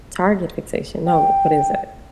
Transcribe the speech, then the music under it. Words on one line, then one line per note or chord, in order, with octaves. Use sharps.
Target fixation. No. What is that?
G5